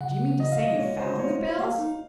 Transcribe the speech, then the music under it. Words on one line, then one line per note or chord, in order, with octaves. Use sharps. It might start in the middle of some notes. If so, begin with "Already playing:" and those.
"Do you mean to say you found the bills?"
C#3 F#5
D#5
F5
D#5
A#3
G#3 C#5
C5
C#5
A#3 F5
D#4